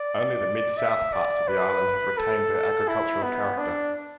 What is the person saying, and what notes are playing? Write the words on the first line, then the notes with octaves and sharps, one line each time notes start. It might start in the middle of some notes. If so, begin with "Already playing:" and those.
Only the mid-south parts of the island have retained their agricultural character.
Already playing: D5
E5
D5
B4
A4
E4
B3
D4